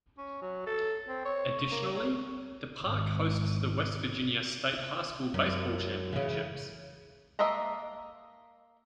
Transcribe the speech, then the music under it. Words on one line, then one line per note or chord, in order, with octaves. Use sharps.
Additionally, the park hosts the West Virginia state high school baseball championships.
C#4
F#3
A4
C4
C#5
A#3
C#5
G#1 G#2
F#2
C#3 E3
A#3 D#5 E5 A5 A#5